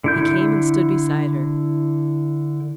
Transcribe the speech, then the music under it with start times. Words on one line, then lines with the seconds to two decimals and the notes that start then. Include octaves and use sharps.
He came and stood beside her.
0.04 D3 E4 G6